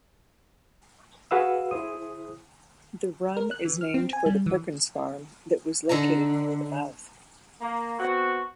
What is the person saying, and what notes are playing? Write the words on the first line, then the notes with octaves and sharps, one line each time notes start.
The run is named for the Perkins Farm that was located near the mouth.
F#4 G#4 B4 F5 F#5 E6
E4 G#4 C5 D#6
A#4
F#6
E3
F6
C4
G#5
G3
E3
D3 D4 D#4 A#5
A#3
B3 C4 F#4